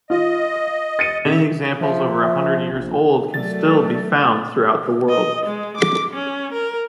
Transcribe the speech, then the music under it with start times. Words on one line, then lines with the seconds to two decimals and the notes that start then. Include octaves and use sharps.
Many examples over a hundred years old can still be found throughout the world.
0.10 F4 D#5
0.99 A6 C#7 D#7
1.25 C#3 E5
1.81 F3 E5
2.72 A#1
3.34 F#3 A3 A4 A#4 D5 A6
5.09 D#5
5.46 G#3
5.77 D6
6.14 C#4
6.53 A#4